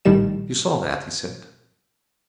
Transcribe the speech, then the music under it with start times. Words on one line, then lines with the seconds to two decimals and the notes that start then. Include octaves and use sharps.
"You saw that?" he said.
0.05 A#1 A2 D#3 G3 E7